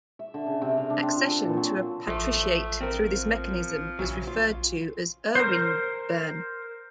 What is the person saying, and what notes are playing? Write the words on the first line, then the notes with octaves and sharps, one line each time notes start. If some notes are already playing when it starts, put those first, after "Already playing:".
Accession to a patriciate through this mechanism was referred to as erweibern.
E5
D3
C#3
C3
F5
D4
C4
F4
A4
A#2
F#3
A1 F3 A3
F3 C4 A#4
A#1 C#3 E3 F#3
F4
A#4 C5